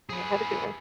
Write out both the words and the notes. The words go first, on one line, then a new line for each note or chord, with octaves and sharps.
All right, have a good one.
G#4 B4